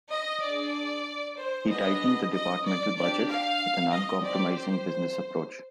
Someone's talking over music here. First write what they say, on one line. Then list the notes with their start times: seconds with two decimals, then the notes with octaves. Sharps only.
He tightened the departmental budget with an uncompromising business approach.
0.10 D#5
0.41 D4 G#4 D5
1.36 C5
1.68 B3 D4 G#4 D#5
2.32 D#5
2.63 D5
2.94 D4 G4 D5
3.27 F5
3.90 D#5
4.21 C4 G4 D5
4.54 C5